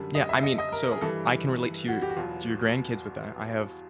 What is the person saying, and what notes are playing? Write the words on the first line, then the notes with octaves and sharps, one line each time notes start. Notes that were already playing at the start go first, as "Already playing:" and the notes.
Yeah, I mean so I can relate to your to your grandkids with that. I have
Already playing: F#2 D3 G3
D#5
E5
D#5
D#5
A#4
G#4
G2 E3 G3 A4
F#4
G4
F#4
E2 B2 F#3 F4